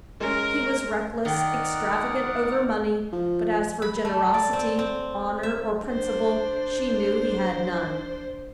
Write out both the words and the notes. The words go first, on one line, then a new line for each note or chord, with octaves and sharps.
He was reckless, extravagant over money, but as for generosity, honor, or principle, she knew he had none.
G#3 C#4 A#4
D#3 A#4 D5 F#5 A#5 D#6 F#6
F3
B5
A3
D5
C4
C4
E5
D4 C5